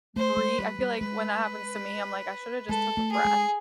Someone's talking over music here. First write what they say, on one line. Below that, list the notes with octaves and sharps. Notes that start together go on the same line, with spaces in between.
brea I feel like when that happens to me, I'm like I shoulda just took a breath
A3 C5
G#3
G3 B4
G3
G#3 B4
G#3 A4
A3
G#4
G#3